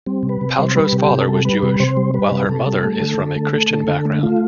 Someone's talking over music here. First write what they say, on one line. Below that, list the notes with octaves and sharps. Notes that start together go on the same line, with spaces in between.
Paltrow's father was Jewish, while her mother is from a Christian background.
G3 C4
C3
B4
C3
C5
G3
G3 B4
C3
G4
C3
A4
G3
G3 B4
C3
C3 C5
G3
G3 B4
C3
C3 A4
G3
A3
D3
D3
A3
A3
D3
D3
A3
A3 F4